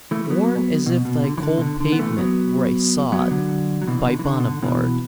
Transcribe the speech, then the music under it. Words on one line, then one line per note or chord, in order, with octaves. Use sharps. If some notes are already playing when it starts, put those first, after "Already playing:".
Worn as if thy cold pavement were a sod, By Bonnivard!
E3 A3
A3
F#3 B3
B2
B2
D3
E3
D3
B2
D3
D3
B3
E3 A3
F#3 B3
F#3 B3
D3 F#3
F#3
B2 E3
B2
D3
E3
D3
B2
D3
B2 E3